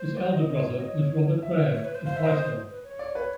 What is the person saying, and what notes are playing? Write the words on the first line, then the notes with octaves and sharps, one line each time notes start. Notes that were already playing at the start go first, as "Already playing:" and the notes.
His elder brother was Robert Grahame of Whitehill.
Already playing: C5
D5
D#5
C#5 D#5
D#5
E5
C#5
B4
C5
C5 F5
E5
D#5
B4
C#5
D5
B4